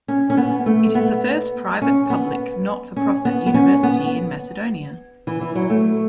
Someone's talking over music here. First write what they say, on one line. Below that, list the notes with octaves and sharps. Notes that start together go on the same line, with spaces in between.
It is the first private-public not for profit university in Macedonia.
C#4
C#4
B3
A3
B3
C#4
B3
C#4
B3
B3
C#4
B3
E3
E3
F#3
A3